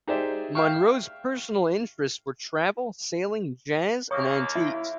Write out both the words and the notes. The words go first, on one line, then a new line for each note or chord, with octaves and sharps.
Munrow's personal interests were travel, sailing, jazz and antiques.
D#4 G4 G#4 C5 D5 E5
E5 F5 G5 C#6
D#2 A#3 C#5 C#6 D#6
E4